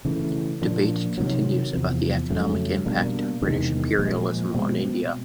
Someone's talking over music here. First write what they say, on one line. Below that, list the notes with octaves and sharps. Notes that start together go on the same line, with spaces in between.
Debate continues about the economic impact of British imperialism on India.
C#3 E3 A3
A#2 F3 A#3 D4
C3 D#3 F#3
E2 C3 F3
F2 C#3 F#3 A3
B2 G3 A#3 D4
E2 C3 D#3 G#3
A#2 F3 G#3
B2 G#3 C4